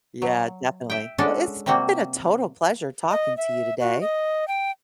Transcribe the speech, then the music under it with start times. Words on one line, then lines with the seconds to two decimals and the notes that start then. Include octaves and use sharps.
Yeah, definitely. Well, it's been a total pleasure talking to you today,
0.22 F#3
0.90 E5 G5
1.18 G#3 C#4 D4 F#4 A4
1.66 C3 G3 A#3 C4 F#4
3.10 D#5
3.37 E5
3.79 F#4
4.01 D#5
4.48 G5